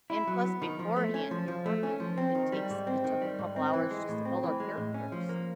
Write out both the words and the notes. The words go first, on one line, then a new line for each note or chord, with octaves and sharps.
and plus beforehand beforehand, you it takes it took a couple hours just to build our characters.
E4
F#3
B3
D#3
F3
A3
C#4
F3
F3
A3
C#4
F3
C4
D#3
G3
G#2
C4
D#3
G3
G#2
C4
E3
G#3
A2
C4
E3
G#3
A2
C#4
F3
A#3